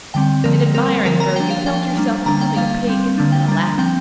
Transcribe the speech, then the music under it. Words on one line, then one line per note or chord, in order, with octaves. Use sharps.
In admiring her you felt yourself becoming a pagan and a lackey.
D3 G3 C4 G5
D3 F3 A#3 A#4
G3 C4 A#4
D3 F3 A#3 A#4
A#5
F3 D4 G5
F5
F3 D4 G5
G3 A#3 D4
D3 G3 A#3 D4 A#5
G5
G3 A#3 D4 F5
G3 C4
D3 A#3 D4
G5
G3 D4 A#5
F3 C4 G5